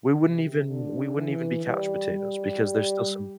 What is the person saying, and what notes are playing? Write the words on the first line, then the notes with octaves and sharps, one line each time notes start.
We wouldn't even we wouldn't even be couch potatoes because there's still some
C3
D3
E3
G3
G3
G3